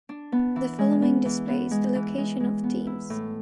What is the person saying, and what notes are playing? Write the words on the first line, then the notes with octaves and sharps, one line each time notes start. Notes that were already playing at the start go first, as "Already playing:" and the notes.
The following displays the location of teams.
D4
B3
E3
G#3
B3
E3
B3
G#3
E3
G#3
G#3
B3
E4
A2